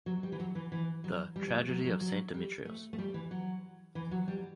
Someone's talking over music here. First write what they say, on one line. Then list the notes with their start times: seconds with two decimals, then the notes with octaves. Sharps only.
The "Tragedy of Saint Demetrios".
0.06 F#3
0.23 G3
0.32 E3
0.40 F#3
0.55 E3
0.72 E3
1.04 F#3
1.36 G3
1.48 G3
1.52 A3
1.69 F#3
1.85 F#3
2.01 F#3
2.34 G3
2.65 A3
2.93 A3
2.98 G3
3.14 E3
3.31 F#3
3.95 E3
4.11 F#3
4.28 G3